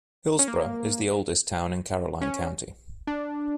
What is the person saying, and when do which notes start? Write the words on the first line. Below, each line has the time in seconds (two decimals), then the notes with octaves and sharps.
Hillsboro is the oldest town in Caroline County.
0.39 C#4
0.48 A#3
2.21 C#4
3.07 D4